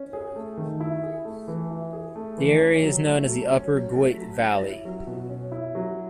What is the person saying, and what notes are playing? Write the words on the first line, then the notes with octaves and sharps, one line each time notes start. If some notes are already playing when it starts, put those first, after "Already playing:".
The area is known as the Upper Goyt Valley.
Already playing: C#4
G#4
A3
D#3
E4
G#4
A3
E3
E4
G#4
A3
E3
C#4
F#3
A3
F#3
C#4
F#3
A3
F#3
C#4
E4
F#3
B2
C#4
E4
F#3